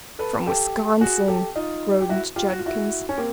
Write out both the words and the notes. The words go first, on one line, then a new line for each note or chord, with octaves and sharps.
"From Wisconsin!" groaned Judkins.
A4 B4
G4 A4
F#4 G#4
G4 A4
D#4 F4
G4
E4 F#4
F4 G4
F#4
F4
E4 F#4
C#4
A#3 C4